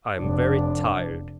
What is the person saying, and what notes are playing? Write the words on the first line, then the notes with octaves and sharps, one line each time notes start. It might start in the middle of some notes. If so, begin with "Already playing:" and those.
I am very tired.'
F1 D4